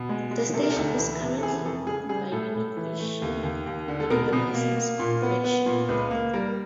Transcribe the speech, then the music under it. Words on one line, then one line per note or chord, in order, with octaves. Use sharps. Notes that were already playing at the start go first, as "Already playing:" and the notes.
The station is currently owned by Univision Radio License Corporation.
Already playing: B2
G#3
G#3
C3 A4
A#4
A4
D2
E3
C3
A4
E3 G#4
F2 A4
C#3 G#4
G3 G#4
A2 A4
A2
E3
A3
D#2
D#2
D#2
D3
A4
B2 A#4
B2
A#3
A#3
A#2
B3
B3
A#2
C#2 B4
A#3
G3 A#4